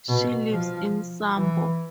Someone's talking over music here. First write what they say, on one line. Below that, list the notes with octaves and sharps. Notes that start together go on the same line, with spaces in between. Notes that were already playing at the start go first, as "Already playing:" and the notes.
She lives in Sombor.
B2
F3
E3